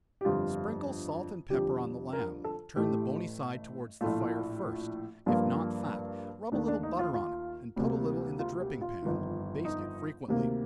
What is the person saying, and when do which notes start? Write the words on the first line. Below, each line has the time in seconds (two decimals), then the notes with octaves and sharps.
Sprinkle salt and pepper on the lamb, turn the bony side towards the fire first; if not fat, rub a little butter on it, and put a little in the dripping pan; baste it frequently.
0.21 G4
0.25 G1 F2 D3 G3 F4
1.50 F2 D3 G3 G4
2.13 A#4
2.44 A4
2.76 A1 A2 A3 G4
4.01 A#1 A2 A3 F4
5.26 G2 F3 A#3 F4
6.52 D#2 D#3 A3 D4
6.68 D4
6.83 D#4
6.99 F4
7.14 F4
7.76 D2 C3 G3 A#3
8.39 F4
8.61 G4
8.81 F4
9.02 G1 F2 D#3
9.65 D#4
10.28 D2 C3 D#3 A#3